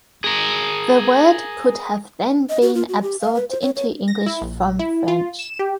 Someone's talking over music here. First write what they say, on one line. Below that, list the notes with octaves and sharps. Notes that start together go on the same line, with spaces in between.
The word could have then been absorbed into English from French.
G#4 A#4
D#5
F#4
F4
F#4
G4
F5
B4
C5
C#5
C#5
A#6
E4
A#1
E4
F4
E7
G4